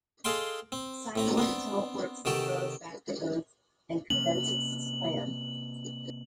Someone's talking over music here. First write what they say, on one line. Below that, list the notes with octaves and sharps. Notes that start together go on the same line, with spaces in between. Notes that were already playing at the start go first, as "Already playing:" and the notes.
Cyborg teleports the heroes back to Earth and commences his plan.
G#4 A4 D#5 F5 G5 C6
C4
A2 C4 A#5
B3 C4 D4
C3 D#3 F#4 G4 A4
C3 A#3 C#4 F#7